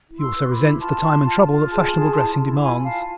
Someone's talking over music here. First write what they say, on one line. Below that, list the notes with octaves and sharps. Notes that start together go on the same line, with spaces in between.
He also resents the time and trouble that fashionable dressing demands.
E4
C6 E6
B4
B5 D6
E4
F4 A5 C6
F4
F4
F4
G#4 A5 C6
G#4
E4
E4
F4 G#5 B5
F4 F5 A5